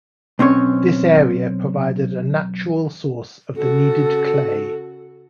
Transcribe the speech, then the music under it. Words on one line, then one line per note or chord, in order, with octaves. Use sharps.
This area provided a natural source of the needed clay.
B1 C4 C#4 C#5
C#3 F#4 A4